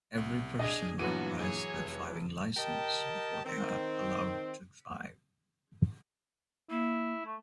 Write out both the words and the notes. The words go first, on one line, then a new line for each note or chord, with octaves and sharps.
Every person requires a driving license before they are allowed to drive.
C2
D4 G#4 D#5 G#6
G2 A#2 E3 F#3 B3 F#4 D#7
G#4 C#5
F1
G4 A#4 D#5 G5 A5
D#3 C4
A#3 E4
A3